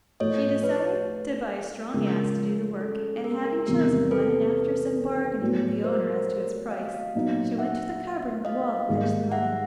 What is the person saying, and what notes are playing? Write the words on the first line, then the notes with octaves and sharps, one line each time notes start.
She decided to buy a strong ass to do the work, and having chosen one, and after some bargaining with the owner as to its price, she went to the cupboard in the wall to fetch the money.
A2 F3 A3 C#5 D#5
B4 C#5
C#3 F3 G#3 A#4
A4
A#4
A#4
E2 C3 D#3 G3 A#4
A4 B4
A2 F#3 B3
A#4 C5
D#5 F5
A#2 F#3 B3 D#4
E5 F#5
D#5 F5
G#2 D#3 G3 A#3
E5 F#5